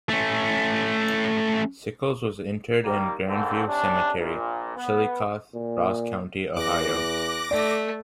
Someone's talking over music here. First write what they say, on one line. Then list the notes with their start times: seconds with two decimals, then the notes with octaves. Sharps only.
Sickles was interred in Grandview Cemetery, Chillicothe, Ross County, Ohio.
0.09 A3 C#4
2.84 D#3 G3 A#3
3.27 G#2 D3 A3 A#3 C4
3.67 C3 C#4 D4
4.19 A#1 A#2
4.77 B3
5.55 A#2
6.56 E2 D6 F#6 A#6
7.51 A3 D5